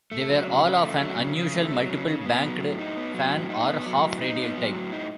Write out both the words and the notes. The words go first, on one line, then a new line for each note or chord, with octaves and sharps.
They were all of an unusual multiple-banked fan or half-radial type.
A3
F#3
C#3
C#3
A3
F#3
C#3
C#3
A3
F#3
C#3
C#3
B3
F#3
A2
D#4
B3
F#3
A2
D#4
B3
F#3
A2
D#4
B3
F#3
A2
D#4